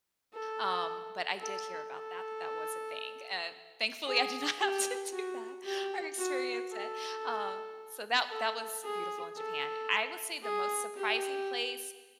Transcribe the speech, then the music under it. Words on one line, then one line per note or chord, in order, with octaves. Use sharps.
Um, but I did hear about that, that that was a thing. Uh, thankfully, I did not have to do that or experience it, um, so that that was beautiful in Japan. I would say the most surprising place
A4
A4
A4
G#4
G4
F#4
G4
F#4
A4
A4
G#4
A4
G#4
G4